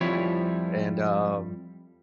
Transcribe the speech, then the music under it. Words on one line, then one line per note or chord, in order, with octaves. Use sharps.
And, um
F2 F3 G3 E4 C#5